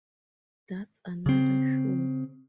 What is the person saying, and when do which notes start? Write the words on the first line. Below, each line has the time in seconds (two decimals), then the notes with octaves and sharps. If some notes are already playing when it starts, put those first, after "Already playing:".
That's another show.
1.26 C#3 C4